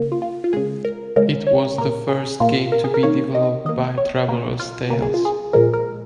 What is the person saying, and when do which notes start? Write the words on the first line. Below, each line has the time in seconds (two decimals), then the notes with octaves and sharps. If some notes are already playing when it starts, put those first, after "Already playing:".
It was the first game to be developed by Traveller's Tales.
Already playing: C#3 A#3
0.12 F4
0.22 F4
0.44 F4
0.53 C#3 G#3 G#4
0.85 A#4
1.16 C#3 G#3 A#4
1.47 C#5
1.78 A#2 A#3 A#4
2.09 G#4
2.40 A#2 A#3 F4
2.72 A#4
2.84 G#4
2.94 A#4
3.03 D#3 A#3 C#5
3.35 D#5
3.65 D#3 A#3 D#5
3.98 C#5
4.28 C#3 A#3
4.59 F4
4.90 C#3 A#3 A#4
5.02 G#4
5.14 F4
5.25 G#4
5.53 A#2 F3 G#3 A#4
5.74 A#4